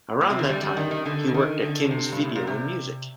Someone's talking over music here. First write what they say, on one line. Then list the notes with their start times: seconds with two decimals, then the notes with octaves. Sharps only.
Around that time, he worked at Kim's Video and Music.
0.21 A#2
0.30 C3
0.39 D3
0.49 G3
0.63 G3
0.77 D#3
0.91 D#3
1.06 D3
1.28 D3
1.34 D#3
1.62 D3
1.91 C3
2.12 G2
2.25 A2
2.35 A#2
2.47 C3